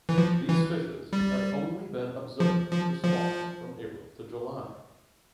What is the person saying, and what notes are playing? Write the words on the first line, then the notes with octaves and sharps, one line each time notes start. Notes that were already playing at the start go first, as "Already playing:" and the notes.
These fishes have only been observed to spawn from April to July.
E3
F3
E3
G3
F3
F3
F3